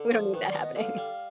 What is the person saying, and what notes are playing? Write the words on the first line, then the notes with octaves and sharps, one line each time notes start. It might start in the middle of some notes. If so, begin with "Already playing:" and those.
We don't need that happening.
Already playing: D3
F3
D#3 B4
D5
B3
D#5
D3 F5
G3